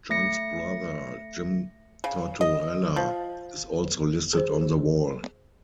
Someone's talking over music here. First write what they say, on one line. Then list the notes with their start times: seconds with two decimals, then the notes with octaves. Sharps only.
John's brother Jim Tortorella is also listed on the wall.
0.10 A3 A#6 C#7
2.04 C#3
2.41 D#5
2.96 F3
4.33 G#4 C5